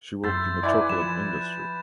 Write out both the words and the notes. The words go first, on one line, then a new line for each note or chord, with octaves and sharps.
She worked in the chocolate industry.
F#2 E5 C6 G6 A6
E4 B4 D5 F#5 G#5
F3 E7